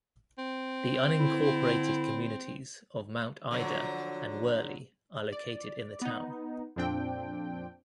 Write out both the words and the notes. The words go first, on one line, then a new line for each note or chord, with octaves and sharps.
The unincorporated communities of Mount Ida and Werley are located in the town.
C4
D3 E4
D3 F3 F#3
D5
B3 D#4
F2 A#2 F3 C4 D4 G5